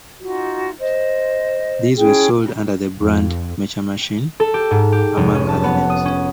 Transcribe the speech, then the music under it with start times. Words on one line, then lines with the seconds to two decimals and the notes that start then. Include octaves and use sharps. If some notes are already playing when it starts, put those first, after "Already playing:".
These were sold under the brand "Mecha Machine," among other names.
0.20 D#4 F4 F#4
0.78 C5 D#5
1.97 C#4 E4 G#4 G5
3.00 F2
4.40 A4
4.54 G4
4.71 G#2
4.92 G4
5.17 F1
5.34 C#4
5.49 A5
5.64 B3
5.90 D#6
6.05 C#4